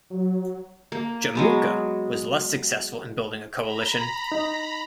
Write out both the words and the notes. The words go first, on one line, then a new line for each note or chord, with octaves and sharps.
Jamukha was less successful in building a coalition.
F#3
A#3
F#3 G#3 B3
A#5 B5
D#4